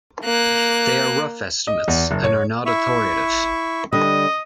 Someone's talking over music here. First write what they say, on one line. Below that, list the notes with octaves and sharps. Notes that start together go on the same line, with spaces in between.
They are rough estimates and are not authoritative.
A#3 F#6
D#5
E2
F#1
C#5
E4 E5 C#6
D3 G3 D#5